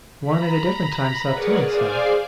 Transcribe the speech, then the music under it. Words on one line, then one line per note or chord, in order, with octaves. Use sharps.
One at a different time saw two inside.
A#5 B5
G#4 A#4 B4 C#5 D5 F#5
G#4 C5 D5 F5 G#5 D6